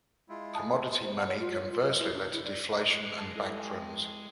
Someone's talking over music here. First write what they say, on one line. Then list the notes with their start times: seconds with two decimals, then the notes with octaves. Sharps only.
Commodity money conversely led to deflation and bank runs.
0.29 G#3 E4 F4
0.54 G#5 A5 D#6
1.02 C5
1.16 F#5
1.27 C#5
1.40 F4
1.54 C#5
1.71 F4
1.85 D#5
1.99 E4
2.14 D4
2.32 E4
2.45 D5
2.78 G#3
3.18 A5
3.36 E4 A4 G#6
3.59 G5 G#5